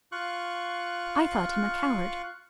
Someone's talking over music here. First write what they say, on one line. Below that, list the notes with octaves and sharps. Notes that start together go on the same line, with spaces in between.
I thought him a coward.
F4 C#6 F#6